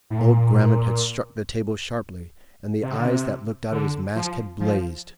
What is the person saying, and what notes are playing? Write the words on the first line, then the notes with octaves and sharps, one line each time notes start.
Old Grammont had struck the table sharply and the eyes that looked out of his mask had blazed.
A2
A#2
C3
D3
C3
D3
F3
F3